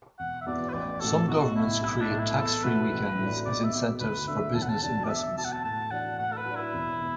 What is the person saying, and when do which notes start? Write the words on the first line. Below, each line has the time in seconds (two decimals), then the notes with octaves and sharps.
Some governments create tax-free weekends as incentives for business investment.
0.19 E1 F#5
0.41 E5
0.46 E2 E3 B3 F#4 D5
0.69 B4
0.73 A1 D5
1.00 A2 A3 F#4 A4
1.29 B1 F#4
1.56 A2 A3 E4
1.82 B1 E4
2.01 D4
2.10 A2 A3
2.19 E4
2.37 E2 A4
2.64 B2 A3 F#4 B4
2.91 A1
3.18 A2 F#3 D4
3.46 B1 D5
3.64 E5
3.74 B2 B3 F#4
4.00 D2 B4
4.28 D3 A3 E5
4.55 E1 A5
4.62 F#5
4.69 A5
4.82 D2 D3 F#3 D4 A5
5.04 D5
5.09 E2 E5
5.37 B2 F#3 A5
5.45 F#5
5.53 A5
5.65 A2 A5
5.91 E3 D4 F#4 F#5
6.19 A2 F#5
6.33 A4
6.37 B4
6.46 F#3 D4
6.56 E4
6.74 E1
7.01 B2